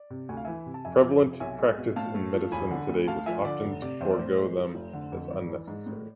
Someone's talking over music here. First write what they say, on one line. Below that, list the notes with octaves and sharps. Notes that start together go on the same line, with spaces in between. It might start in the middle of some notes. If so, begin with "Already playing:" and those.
Prevalent practice in medicine today is often to forego them as unnecessary.
Already playing: D5
C3
D2 G#5
F5
E3 E5 G#5
C3
A5
F2 E5 G#5
F3
C3
B1 E5 G#5
G#3
B2
A2 F5 A5
A3
F3
E1 G#5 B5
D3
D2
D2 F5 A5
F3 E5 G#5
D3 D5
F1
C3 D5
E2 C5 E5
D5
A2 C5
G#3
F3
F1
D3
F2
G#1 D5
E3
G#2
A2